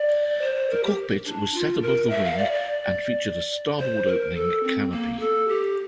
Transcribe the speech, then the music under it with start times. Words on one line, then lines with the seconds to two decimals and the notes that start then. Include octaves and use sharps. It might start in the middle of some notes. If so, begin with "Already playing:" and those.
The cockpit was set above the wing, and featured a starboard-opening canopy.
Already playing: D5
0.42 C5
0.55 C5
0.70 A#4
0.84 G4
1.26 D4
1.54 F4
1.82 A#4
2.10 E5
2.25 F5
2.38 D5
2.53 D5
3.80 C5
4.07 A#4
4.35 A4
4.63 C4
4.91 A#3
5.20 A4
5.48 G4